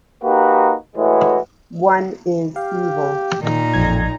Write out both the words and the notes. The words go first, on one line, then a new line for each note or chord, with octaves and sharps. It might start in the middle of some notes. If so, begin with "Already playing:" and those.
One is evil.
A#3 D#4 F#4 G4 B4
A2 E3 G#3 F#4 B4
G4 F5
A#2 D#3 D#4
A1 F2 F3 G#6